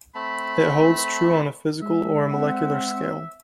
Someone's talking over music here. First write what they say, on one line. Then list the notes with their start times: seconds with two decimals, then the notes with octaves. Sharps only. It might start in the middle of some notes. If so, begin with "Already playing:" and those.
It holds true on a physical or molecular scale.
0.15 A3 C4 A5 B5
1.82 G#3 E5
2.32 C4 F#5